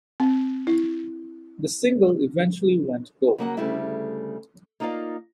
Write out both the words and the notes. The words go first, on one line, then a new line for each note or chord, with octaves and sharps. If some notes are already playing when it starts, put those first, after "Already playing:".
The single eventually went gold.
C4
E4
C#3 F#3 A#3 F#4 D5 F#5
D2 C#3 G3 A3 E4 E5
A#3 D#4 F4 C#5 D5 F5